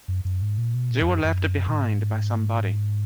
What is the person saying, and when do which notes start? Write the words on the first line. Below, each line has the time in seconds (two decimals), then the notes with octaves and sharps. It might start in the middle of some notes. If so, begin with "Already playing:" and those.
They were left behind by somebody.
0.08 F#2
0.25 F#2
0.42 G#2
0.58 A#2
0.74 B2
0.91 A#2
1.02 E2
1.08 F#2
1.24 F#2
1.68 A#2
1.74 G#2